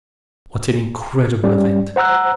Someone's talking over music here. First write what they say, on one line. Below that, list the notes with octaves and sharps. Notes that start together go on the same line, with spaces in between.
"What an incredible event!"
G3 C#4
C5 F#5 A#5 E6 F#6